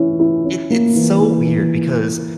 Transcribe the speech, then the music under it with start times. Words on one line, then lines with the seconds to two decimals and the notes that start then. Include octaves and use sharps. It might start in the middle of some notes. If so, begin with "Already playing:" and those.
It it's so weird because,
Already playing: E3 C#4 E4
0.19 E4
0.45 C#4
0.70 A#3
0.95 E3
1.20 E3
1.46 E3